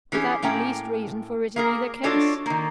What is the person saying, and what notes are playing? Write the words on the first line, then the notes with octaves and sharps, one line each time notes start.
Without the least reason for it in either case.
E3 C#4 G4 G#4
A2 A#3 C#4 G5
A#3 G#4 A#4
D4 F4 F#4 A4 C#5 D#5
D#3 A#3